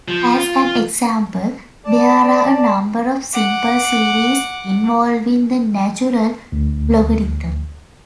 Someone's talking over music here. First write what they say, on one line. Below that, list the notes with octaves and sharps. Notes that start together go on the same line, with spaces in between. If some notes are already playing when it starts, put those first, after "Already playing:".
As an example, there are a number of simple series involving the natural logarithm.
F3
F4
D5 A5
F#5 D6
D2